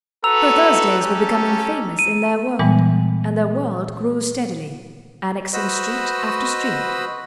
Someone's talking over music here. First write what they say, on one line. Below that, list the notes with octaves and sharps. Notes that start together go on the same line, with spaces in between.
Her Thursdays were becoming famous in their world; and their world grew steadily, annexing street after street.
F#4 A4 B4 A#5 E6 F7
C#4 G4 A4
D#7
A#2 E3 G3 G#3 B3
F#4 B4 C5 D#5 B5 E6